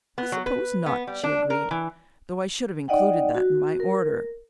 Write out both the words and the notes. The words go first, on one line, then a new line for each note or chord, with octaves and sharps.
'I suppose not,' she agreed, 'though I should have included that in my order.'
B3
F#3
B4
B3
G3
D4
A#4
E3
D#4 D5 D#5 F#5 G5
F#4
A#4